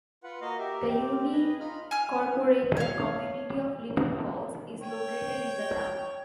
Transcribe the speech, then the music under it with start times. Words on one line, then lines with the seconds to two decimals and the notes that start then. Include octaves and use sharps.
The unincorporated community of Little Falls is located in the town.
0.24 F4 B4 F#5
0.41 A#3 F#4 D#5 F5
0.58 G4 A#4 E5
0.89 C4 G4
1.32 G#4 B4 D#5
1.60 D#4 F4 A#5 B5 F6
1.91 G#5 F6
2.77 C#5 F5
4.81 C#5 G5